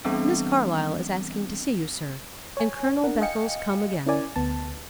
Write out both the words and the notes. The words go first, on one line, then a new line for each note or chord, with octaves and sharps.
"Miss Carlyle is asking to see you, sir, and Colonel Bethel's come again."
E3 G3 B3 C4 D4
C#5 G#5
D4 A#4 F#5
D#5 F5 G5 G#5 C#7
C#4 E4 A#4 D5 G#5
D2 B3 A5